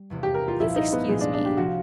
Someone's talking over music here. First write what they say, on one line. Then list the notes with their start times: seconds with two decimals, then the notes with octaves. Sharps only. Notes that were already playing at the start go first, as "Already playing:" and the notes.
Please excuse me.
Already playing: G3
0.10 F1 E2 C3
0.23 G4
0.34 A#4
0.48 F4
0.60 C2 A#2 F3 E4
0.76 D#4
0.92 B3
1.09 C2 A#2 F3 G#3
1.21 D4
1.34 D4
1.45 G4
1.57 C2 C3 F3 F#4